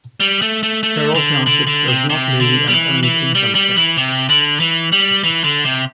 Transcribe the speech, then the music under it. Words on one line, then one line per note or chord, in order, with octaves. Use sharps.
Carroll Township does not levy an earned income tax.
G3
A3
A3
A3
D3
D3
D3
C3
C3
D3
G3
E3
E3
G3
G3
E3
C3
D3
E3
G3
E3
D3
C3